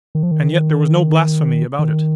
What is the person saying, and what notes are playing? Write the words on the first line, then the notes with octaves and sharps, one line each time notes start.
And yet there was no blasphemy about it.
D#3
F3
D#3
D#3